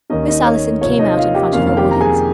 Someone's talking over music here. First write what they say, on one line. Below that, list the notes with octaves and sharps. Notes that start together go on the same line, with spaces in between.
Miss Allison came out in front of her audience.
D#2 D#3 A#3 C#4 D#4 D#5
D#4 D#5
C#5
C3 F3 A#3 C#5
D#4 D#5
F4 F5
G4 G5
F2 C3 D#3 A#3 C#4 F4 F5
F5
G4 G5
A#5
G#4 G#5